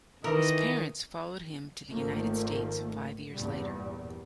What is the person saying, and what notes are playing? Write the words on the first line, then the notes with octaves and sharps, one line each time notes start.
His parents followed him to the United States five years later.
D#3 E3 A#4 D#5
G#1 D#3 F3 A3 A#3
E2 G2 A#2 G3